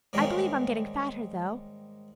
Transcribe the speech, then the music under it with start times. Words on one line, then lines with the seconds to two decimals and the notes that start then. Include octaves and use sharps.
I believe I'm getting fatter, though.
0.13 G#2 D#3 G3 A#3 C#4